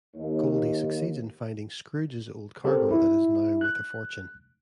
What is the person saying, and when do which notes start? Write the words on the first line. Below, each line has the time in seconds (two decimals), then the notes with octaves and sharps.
Goldie succeeds in finding Scrooge's old cargo that is now worth a fortune.
0.15 D#2
2.64 C4 G4 A4 A#4 C5
2.91 E4
3.61 F#6